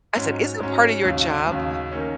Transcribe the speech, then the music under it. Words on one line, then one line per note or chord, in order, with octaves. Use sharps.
I said, "...isn't part of your job
G#2 F#3 C#4
G#2 F#3 C#4
D#2 C#3 F#3
D#2 C#3 F#3
D#3 A#3 C#4